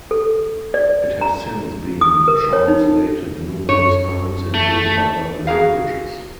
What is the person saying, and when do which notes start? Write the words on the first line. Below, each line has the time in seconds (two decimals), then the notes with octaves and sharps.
It has since been translated numerous times into other languages.
0.11 A4
0.74 D5
1.21 A#5
2.01 D#6
2.28 A#4
2.53 C#5
2.68 D#4
3.69 F#2 C#5
4.54 A3
5.47 F#4 G#4 A#4 F5